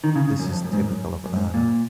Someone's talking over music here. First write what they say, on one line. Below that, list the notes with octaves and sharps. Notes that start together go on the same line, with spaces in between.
This is typical of Erna.
D#3
C#3
C#3
F#2
F2
F#2
G#2
F#2
F#2
G#2
A#2